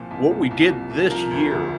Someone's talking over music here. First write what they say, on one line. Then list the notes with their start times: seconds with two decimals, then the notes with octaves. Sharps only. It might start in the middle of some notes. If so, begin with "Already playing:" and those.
what we did this year
Already playing: C2 A#2 F3
0.11 C2
0.31 C2
0.51 C2
0.70 C2
0.90 C2
1.10 F3 A#4
1.31 D2
1.51 D2